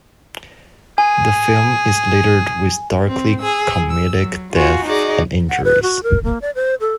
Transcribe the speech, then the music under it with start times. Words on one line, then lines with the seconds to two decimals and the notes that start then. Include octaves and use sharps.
The film is littered with darkly comedic deaths and injuries.
0.98 G#4 G#5
3.07 C4
3.39 G#4 E6
3.90 E6
4.20 F#3
4.54 F4 F#4 G#5
4.86 D#4 F#4 G#4 D5 D#5
5.50 F#5
5.64 B4
5.83 F#4
6.03 A#4
6.24 A#3
6.42 D5
6.55 C5
6.81 A4